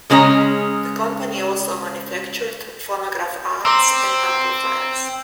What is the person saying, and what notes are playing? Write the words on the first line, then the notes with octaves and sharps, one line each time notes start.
The company also manufactured phonograph arms and amplifiers.
C#3 G#3 C#4 D4 A#5
C4 A#5 C6 D6 E6